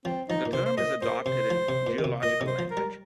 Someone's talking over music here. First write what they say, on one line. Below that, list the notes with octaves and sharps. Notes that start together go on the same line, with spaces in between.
The term is adopted in geological language.
F3 C4
F3 D#4
A#2
C3 C5
C5
A#2 D#5
A#2 C5
C3 C5
F3
C3
A#2
D#3
C3
A#2 D#5
C3
C5
F3
A#4
G3